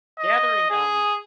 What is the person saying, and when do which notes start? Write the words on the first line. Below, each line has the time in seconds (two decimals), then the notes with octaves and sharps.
Gathering um
0.19 D#5
0.70 G#4